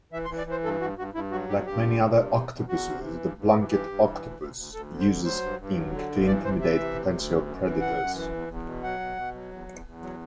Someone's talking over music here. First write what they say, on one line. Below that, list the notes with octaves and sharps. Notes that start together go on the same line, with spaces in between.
Like many other octopuses, the blanket octopus uses ink to intimidate potential predators.
E3 E5
C6
E3
D5
E3 C5
G2 A4
G2 F#4
G2 F#4
G2 E4
F#3 F#4
G2 G4
G2 G4
D3
G2
C3
E2
E2
E2 F#4
C3
E3
G2
G2
E3
G2 G4
G2
E3
D2
D2
D2
D2 A4
D3
C5
D2
F#3 C5
G2
G2
F#3
D3
G2
E3 D5
C3 C5
E3 E5
C3
D2
D2
F#2
F#2
E3
F#2 F#5
F#2
E3
E2
E2
B2
F#3 F#5
B2
B2
F#3
E2
E2
E2
F#3